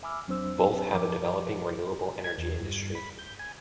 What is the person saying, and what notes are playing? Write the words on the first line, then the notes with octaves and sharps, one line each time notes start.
Both have a developing renewable energy industry.
E5 G#5 B5 D6 E6 F6
E2 F#3 C4 D4 C5 E6
F#2 F3 A#4 D6
G#6
E2
G2
B5
G6
G#5